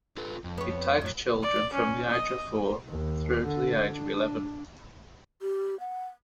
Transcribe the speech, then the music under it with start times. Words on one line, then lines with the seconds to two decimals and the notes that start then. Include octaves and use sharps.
It takes children from the age of four through to the age of eleven.
0.17 F4 A4 B4
0.44 F2
0.58 B3 C#5
1.01 A2 F#3
1.43 D5
1.73 C#4
2.10 D#5
2.88 D#2
3.45 D3
3.91 D4
5.42 G4
5.80 F#5